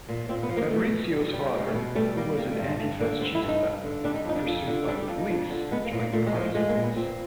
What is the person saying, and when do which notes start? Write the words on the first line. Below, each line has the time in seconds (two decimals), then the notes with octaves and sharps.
Fabrizio's father, who was an "antifascista" pursued by the police, joined the partisans.
0.09 A#2
0.29 A#2 C4
0.43 B3
0.49 F3
0.57 A#3
0.71 B2 A3
0.91 B2
1.12 G3
1.33 G3
1.54 B2 G#3
1.68 A3
1.74 B2
1.82 G#3
1.95 G3 A3
2.17 G3 A#3
2.37 G3 A#3
2.52 A3
2.59 G2
2.66 G#3
2.79 G2 A3
3.00 D3 A#3
3.20 G3 C4
3.35 E4
3.42 G2
3.48 D#4
3.63 G2
3.83 D3
4.04 G3 D4
4.14 D#4
4.25 F2 D#4
4.35 D4
4.47 F2
4.67 D3
4.87 G3 D4
5.02 G4
5.09 F2
5.18 D#4
5.30 F2 D4
5.50 D3
5.71 G#3 B3
5.85 A#3
5.92 A#2
6.00 A#3
6.13 A#2 A3
6.27 G#3
6.34 F3
6.41 G#3
6.55 G#3 A3
6.69 A#3
6.75 A#2
6.83 B3
6.96 A#2 C4